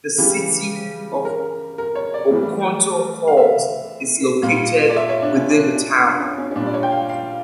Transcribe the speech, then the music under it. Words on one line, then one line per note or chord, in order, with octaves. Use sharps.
The City of Oconto Falls is located within the town.
C#3 E3 G3 G4
A#4
A#4
C#5
D5
A2 E3 G3
F5
E5
A#2 G3 F5
D5
E5
C#5
D4
C#4
D4
D4
D4
C#4
C#4
C#4
A#2 G3 D4
D5
C#5
G5
F5
F5